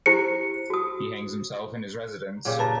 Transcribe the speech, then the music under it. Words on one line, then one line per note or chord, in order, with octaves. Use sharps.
He hangs himself in his residence.
E4 G4 C5 C#7
F#4 D#6
A#2 C#3 G4
B4 A5 A#5